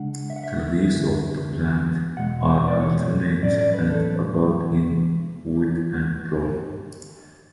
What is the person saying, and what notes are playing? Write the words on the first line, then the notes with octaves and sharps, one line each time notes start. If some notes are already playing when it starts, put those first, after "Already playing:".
The leaves of the plant are alternate and about in width and long.
Already playing: C#3 G#3 D4 F#5
E5
F#5
E5
F#2 D3 G#3 B3
E2 B2 G#3 F#5
D5
C#5
A2 F#3 C#4 D5
D5
B4
A4